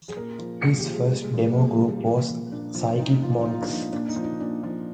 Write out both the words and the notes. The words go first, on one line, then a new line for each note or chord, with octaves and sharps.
His first demo group was Psychic Monks.
G#4
A#2 A#4
F3
A#2 G#4
G4
F3
G#3
A#2 G3
G#3
F3 G3
A#3
A#2 G#3
F3
G3
G#3
A#2 A#3
F3
A#2 D4
F3
F4
A#2 D#4
F3 F4
D#4
A#2 F4
D4
F3 D#4
A#2 D4
D#4
F3
D#4
A#2 D4
F3